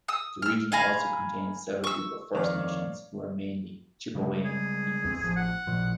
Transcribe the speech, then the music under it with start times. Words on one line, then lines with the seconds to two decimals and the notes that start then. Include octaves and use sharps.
The region also contains several groups of First Nations, who are mainly Chipewyan peoples.
0.08 D#6 E6
0.42 E6 F6
0.72 F5 G#5 A#5 B5
1.84 C#6 E6
2.35 F2 D#3 C#5 D5 F5
4.15 C#3 G3 G#3
4.45 G#4
5.05 E2 C4
5.21 A1 F3
5.36 F#5
5.67 A1 A#2 F3